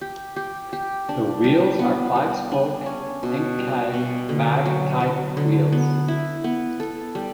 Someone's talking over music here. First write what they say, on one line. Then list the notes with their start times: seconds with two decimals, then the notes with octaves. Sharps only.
The wheels are five-spoke Enkei mag type wheels.
0.01 G4
0.36 G4
0.73 G4
1.09 D4
1.44 G3
1.79 B3
2.16 G3
2.52 D4
2.86 C#4
3.23 B2
3.59 G3
3.93 B2
4.29 D3
4.65 F#3
5.00 F#3
5.37 D3
5.72 B3
6.08 E4
6.44 B3
6.80 A4
7.15 G3